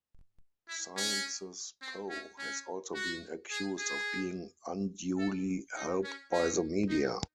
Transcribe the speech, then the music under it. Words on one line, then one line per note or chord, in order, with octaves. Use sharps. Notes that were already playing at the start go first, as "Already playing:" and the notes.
Sciences Po has also been accused of being unduly helped by the media.
E4
C#4
C4
C#4
C#4
F#4
G#4
G#4
A4
D#4
C#4
C#4
D#4